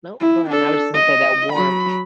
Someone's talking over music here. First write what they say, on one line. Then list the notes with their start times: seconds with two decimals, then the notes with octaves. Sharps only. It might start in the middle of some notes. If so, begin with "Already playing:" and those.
no, go ahead, and I was just gonna say that warmth
0.21 E4
0.50 D4 A4
0.94 D#5
1.52 F#3 B5